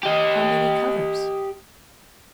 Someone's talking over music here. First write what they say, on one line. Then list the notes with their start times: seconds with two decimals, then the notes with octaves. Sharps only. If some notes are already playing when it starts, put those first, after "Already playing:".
"How many covers?"
0.03 G4 D#5